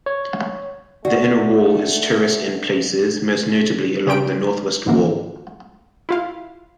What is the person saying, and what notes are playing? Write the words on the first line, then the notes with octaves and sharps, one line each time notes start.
The inner wall is terraced in places, most notably along the northwest wall.
C#5
A3 F#4 D5 F#5
C#3 C#4 G4 G5 D7
G#2 D3 E3 A#3
E4 F4 F5